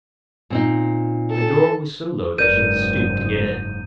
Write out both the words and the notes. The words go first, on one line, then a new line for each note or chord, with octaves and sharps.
The door was so low that she had to stoop to get in.
A#2 C4 D#4
A4
F#1 G#2 A#4 B4 D5 G6 D#7